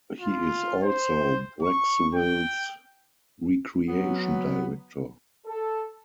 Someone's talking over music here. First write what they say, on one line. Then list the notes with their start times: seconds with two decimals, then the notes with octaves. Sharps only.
He is also Brecksville's Recreation Director.
0.21 F4
0.83 C5
1.63 C#6
2.15 G5
3.88 F#3 B3
5.46 A4